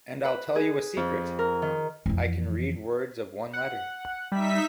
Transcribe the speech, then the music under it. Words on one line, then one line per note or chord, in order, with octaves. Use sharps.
And I’ll tell you a secret—I can read words of one letter!
B4
G#4
F2
A#4
D#3
F2 E3
F#5
G3 D#4 E5 B6